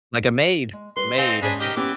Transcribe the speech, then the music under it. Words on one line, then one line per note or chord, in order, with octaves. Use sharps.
Like a maid a maid, uh, that's, um
G#3
G3 B4 C6
C4 D#4 F5 G#5 C6
G#2 C#4 D4 G#4 B4 C5
D#3 G4 D#5
E3 B3 C#4 G4 D6